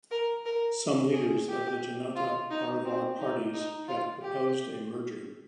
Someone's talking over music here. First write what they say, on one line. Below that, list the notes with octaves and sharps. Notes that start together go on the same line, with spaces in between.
Some leaders of Janata Parivar parties have proposed a merger.
A#4
A#4
G#4
G4
F4
D#4
C4
D#4
D#4
F4
G4